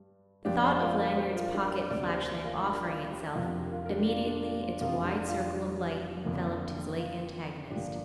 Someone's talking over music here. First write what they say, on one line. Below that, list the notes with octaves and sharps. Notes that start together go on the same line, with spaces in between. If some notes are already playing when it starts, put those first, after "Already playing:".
The thought of Lanyard's pocket flash-lamp offering itself, immediately its wide circle of light enveloped his late antagonist.
Already playing: G2
F2 F3 A#3 D4 G4
G4 C5
F4 A#4
F4 A#4
G4 C5
F4 A#4
D4 G4
D2 C3 A#3 A#4 D5
G4 C5
F4 A#4
D4 G4
F4
D4 G4
F1 F2 F3 C4 F4 A#4
G4
F4 A#4
A#4
D4 G4
F4
D4
F4
F4
F1 F2 C3 F3 F4 A#4
D4 G4
F4
F2 D3 A#3
F4
G1 G2 F3 A#3 D4 G4